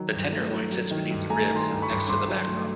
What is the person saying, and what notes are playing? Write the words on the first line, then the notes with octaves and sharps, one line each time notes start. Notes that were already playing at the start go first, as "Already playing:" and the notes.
The tenderloin sits beneath the ribs, next to the backbone.
Already playing: D#3 F#3
G2
A3
F#3
F#3
D#3
G2
A3 G#5 A#5
D#3
A#5 C6
G2
B5 C#6
G2
G2 C6 D6
F#3
A3